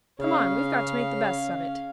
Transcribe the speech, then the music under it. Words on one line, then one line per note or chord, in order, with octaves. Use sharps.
"Come on; we've got to make the best of it."
C#3 C#4 F5